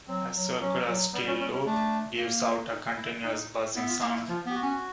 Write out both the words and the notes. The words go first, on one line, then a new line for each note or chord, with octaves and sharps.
A circular steel loop gives out a continuous buzzing sound.
F#3 C4
F#3
F#3 C#4
F#3
G3 B3
C#4
C#4
C#4
A3 D4
A#3
D#4
E4
D#4
B3 E4
F4
A#3 E4
E4
F3 F4
B3 G4
F#4
C#4